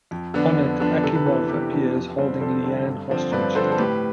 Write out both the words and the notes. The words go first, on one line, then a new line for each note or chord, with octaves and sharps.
On it, Akimov appears, holding Lee-Ann hostage.
F2
D3 F3 B3 D4
F2
D3 F3 B3 D4
C3 A4
B4
E3 B3 D4 A4
C3 G4 B4
E3 B3 D4
F2
D3 G3 C4
F2 A4 C5
D3 G3 C4
G2
D3 F3 C4
G2 B4 D5
D3 F3 C4 A4 C5
A4
A2 G4 B4